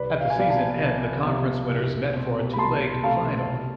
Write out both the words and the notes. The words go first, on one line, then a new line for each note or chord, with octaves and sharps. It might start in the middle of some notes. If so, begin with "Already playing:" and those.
At the season end, the conference winners met for a two-legged final.
Already playing: C2 B4 D5
F5
G#5
C3 F3 B3 D5 F5
F5 A5
C2
C3 F3 B3
C2
B2 A3 C4
B5
C2 A5 C6
B2 A3 C4 F5 A5
C3